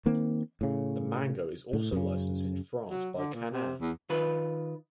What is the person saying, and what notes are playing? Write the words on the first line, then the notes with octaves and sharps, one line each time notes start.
The manga is also licensed in France by Kana.
D#3 A#3 C4
A2 C#3
A2
F#2 C#3
F#3
D3
A#2
C3
E2
D#3 F4 B4